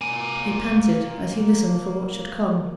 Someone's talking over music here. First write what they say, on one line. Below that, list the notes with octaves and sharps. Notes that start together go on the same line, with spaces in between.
He panted as he listened for what should come.
A#3 G#5